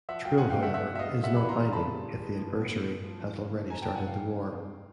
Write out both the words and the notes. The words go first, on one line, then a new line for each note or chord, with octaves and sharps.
This rule, however, is not binding if the adversary has already started the war.
F3 E5 F#5
F#3 F5 G5
C#3 F#5 G#5
F5 G5
A3 E5 F#5
E2 E5 F#5
F#3 E5
D#5 F5
C#3
G3 E5 F#5
E3 B5
A#5 C6
B3
C#3 A5 B5
G3
E3
G#3
F3
B3
A2
G#3
F3
E3
C#3
A3
F2 G#5 A#5
E3 G5 A5
F#5 G#5
C#3 F5 G5
E3
C3
F2